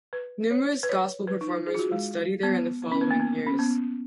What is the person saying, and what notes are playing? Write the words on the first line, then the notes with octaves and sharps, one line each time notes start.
Numerous gospel performers would study there in the following years.
B4
C#5
B4
C#5
B4
D#4
G#4
F4
F#4
G#3
B3
B3
C#4
B3
A#3
B3
C#4
B3